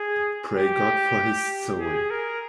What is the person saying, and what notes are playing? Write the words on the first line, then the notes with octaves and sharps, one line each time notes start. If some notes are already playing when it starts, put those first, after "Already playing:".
"Pray God for his soul.'".
Already playing: G#4
G4
G#4
A#4